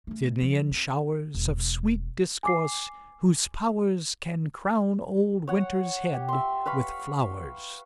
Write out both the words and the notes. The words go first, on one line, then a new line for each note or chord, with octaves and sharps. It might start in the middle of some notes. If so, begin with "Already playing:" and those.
Sydneian showers Of sweet discourse, whose powers Can crown old Winter's head with flowers.
A3 C#4
F3
C4
E1
G#5 D6 C7
C#5 F#5
G4
E5 C6
B4 F5 B5 C#6